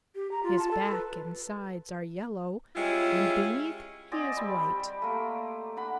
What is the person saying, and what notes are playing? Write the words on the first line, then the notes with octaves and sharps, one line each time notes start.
His back and sides are yellow, and beneath he is white.
G4
A#5
F4
A5
A4
B4
G3 G#3 C#4 E4 F4
C4 D5 D#5 G#5
G3 C4 G4
G3
A3 A#3
D4 F#5 B5